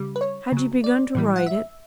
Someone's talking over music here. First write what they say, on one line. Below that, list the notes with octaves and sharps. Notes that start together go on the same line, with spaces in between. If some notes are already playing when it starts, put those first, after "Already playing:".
Had you begun to write it?
Already playing: C#3 G3
B4
C#5
C#3 F#3
D5
A2 E3 G3
F#5
E5